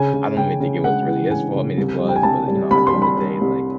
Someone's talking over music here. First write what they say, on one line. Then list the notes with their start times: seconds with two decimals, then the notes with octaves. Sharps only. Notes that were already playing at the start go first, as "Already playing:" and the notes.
I don't really think it was really his fault. I mean, it was. But, you know, at the end of the day, like,
Already playing: C#3 G#5
0.13 C#3
0.37 C#3 G5
0.60 C#3
0.83 G#3 F#5
1.07 E3
1.31 C#3 G#5
1.54 C#3
1.78 C2
2.00 G3
2.08 G5
2.16 G#5
2.23 C2 A5
2.48 G3
2.71 C2 B5
2.87 C6
2.94 G3
3.02 B5
3.17 G3
3.41 C2